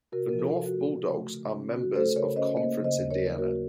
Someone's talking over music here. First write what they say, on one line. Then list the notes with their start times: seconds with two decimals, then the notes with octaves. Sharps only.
The North Bull Dogs are members of Conference Indiana.
0.12 C3 F#4 A#4
0.29 F3 A#4
0.39 F4 A4
0.53 C3
0.66 F#4
0.73 A3
0.94 C#3
1.14 A3
1.35 C#3
1.55 C#4
1.75 C#3 F#4
1.96 A3 A4 C5
2.15 C#3 A#4 C#5
2.36 C#4 C5 D#5
2.56 A#3 C5 D#5
2.78 C#3
2.84 C5 D#5
2.97 D#2
3.11 A#4 C#5
3.18 F#3
3.38 A#3 F#4 A#4